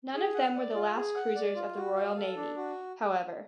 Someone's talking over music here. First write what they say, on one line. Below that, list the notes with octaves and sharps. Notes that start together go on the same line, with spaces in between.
None of them were the last cruisers of the Royal Navy however.
G#4
F#5
D5
F4
G#4
F#5
D5
F4
F#4
F5
A4
D4
F#4